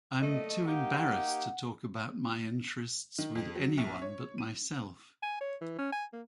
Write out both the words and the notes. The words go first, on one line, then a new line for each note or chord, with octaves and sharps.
I’m too embarrassed to talk about my interests with anyone but myself.
D3 F#3 A3 A#3 D#5
A#3 D#4 G4 F#5
D#3
F2
F#3
A#1
C#5
D#7
G#5
C#5
E3
C#4
G#5
A#3